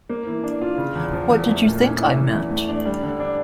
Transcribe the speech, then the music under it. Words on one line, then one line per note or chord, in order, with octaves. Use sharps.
What did you think I meant?
A#3
E3
D4
F4
C#3
E2
F3
E2
A3
A#2
C#4
E4
E3
E2
A3
D4
G3
D3
D4